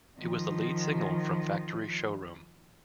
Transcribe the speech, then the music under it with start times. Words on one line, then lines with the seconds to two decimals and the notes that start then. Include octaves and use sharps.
It was the lead single from "Factory Showroom".
0.20 D#3 F3